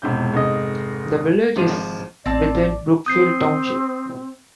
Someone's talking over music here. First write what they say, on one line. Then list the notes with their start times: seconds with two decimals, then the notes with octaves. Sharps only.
The village is within Brookfield Township.
0.02 E1 G#2 C3 G6
0.34 F1 G#2 D#5
1.56 G#1 F3 D#7
2.26 A1 C4 D5 A5
3.06 C4 D#6 G6 C7